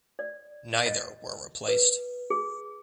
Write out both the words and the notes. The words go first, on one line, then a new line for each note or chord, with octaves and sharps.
Neither were replaced.
D5
D#5
B4
G#4